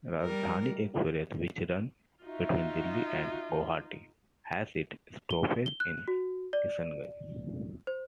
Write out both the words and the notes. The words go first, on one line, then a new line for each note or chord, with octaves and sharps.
Rajdhani Express which runs between Delhi and Guwahati has its stoppage in Kishanganj.
G3 A#4
D#4 F4 F#4 E5
G7
G7
F#6
F#4
D5
C5